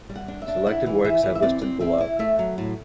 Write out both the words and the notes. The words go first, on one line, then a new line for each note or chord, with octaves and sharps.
Selected works are listed below.
G3
F#5
D4
E5
D4
E4 F#5
E3
E3 E5
E3
E5
C4 D5
C4
C4 E5
E4
A3 E5
F#3
A2